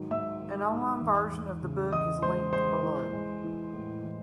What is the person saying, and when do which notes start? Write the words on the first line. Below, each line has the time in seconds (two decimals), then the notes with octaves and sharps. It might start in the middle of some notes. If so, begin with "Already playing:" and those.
An online version of the book is linked below.
Already playing: G#2 D#3 F#3
0.11 G#2 E5 E6
0.41 D#3
0.71 G#2
1.01 E2
1.32 E2
1.62 C#3
1.92 E2 D#5 D#6
2.22 G#3 C5 C6
2.52 G#3 C5 C6
2.83 E3
3.13 G#3
3.44 E3
3.73 A2
4.04 E3